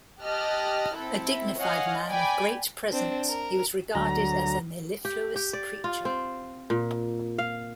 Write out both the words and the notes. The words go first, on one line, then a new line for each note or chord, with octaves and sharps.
A dignified man of great presence, he was regarded as a mellifluous preacher.
G4 D#5 A5 F6 F#6
C4 E4 A4 E5
C#5 D#5 F5 F#5 G#5
D5 G5 G#5 B5 D6
C4 D4
A#4
D2 F#3 A#5
G4
G4
D5
F4
C4
A#2
F5